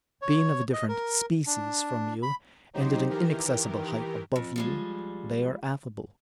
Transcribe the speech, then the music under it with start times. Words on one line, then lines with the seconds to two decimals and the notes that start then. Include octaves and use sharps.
Being of a different species from you, and at an inaccessible height above you, they are affable.
0.22 C#5
0.73 D#5
0.88 A#4
1.46 D4
2.23 B5
2.73 F#3 D#4 G4 C5
3.08 D#3 E3 G4 A#4
4.36 F2
4.56 F3 G3 G#3